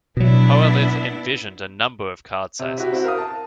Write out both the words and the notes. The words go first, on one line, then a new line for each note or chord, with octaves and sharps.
Hollerith envisioned a number of card sizes.
B2 F#3 B3 D4 E4
C3
E4 F#4 G4
C4 E4 F#4
A#4 F5 D#6
A5